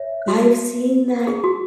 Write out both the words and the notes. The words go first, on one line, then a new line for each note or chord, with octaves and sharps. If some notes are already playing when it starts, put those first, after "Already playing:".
I've seen that.
Already playing: C#5 E5
F#4
G#4
F#4